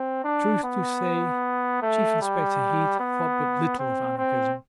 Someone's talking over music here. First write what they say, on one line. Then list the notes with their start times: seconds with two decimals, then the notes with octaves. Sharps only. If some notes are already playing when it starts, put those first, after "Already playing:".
Truth to say, Chief Inspector Heat thought but little of anarchism.
Already playing: C4
0.25 D4
0.64 B3
1.82 A3
2.22 G3
3.00 B3
3.79 C4
4.18 C4